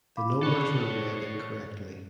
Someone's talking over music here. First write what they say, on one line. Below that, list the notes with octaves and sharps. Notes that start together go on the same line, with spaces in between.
The numbers were read incorrectly.
F5 B5 D6
A4 C#5 D5 C#6 F#6